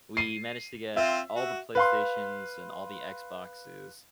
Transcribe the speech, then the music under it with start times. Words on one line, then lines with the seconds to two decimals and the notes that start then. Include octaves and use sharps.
We managed to get all the PlayStations and all the Xboxes.
0.17 C7 D#7
0.96 C4 F4 E5
1.35 F#4
1.75 B4 F5 C6